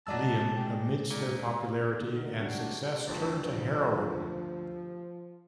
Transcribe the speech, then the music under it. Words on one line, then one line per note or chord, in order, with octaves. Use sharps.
Liam, amidst their popularity and success, turned to heroin.
G#2 F#3 G#3 D5 D#5 A5 E6
G4
A#2 D4
D3 B3 D#4 D5
A3
F#3 G3 D4 F#4 G4
C4
D2 G2 F3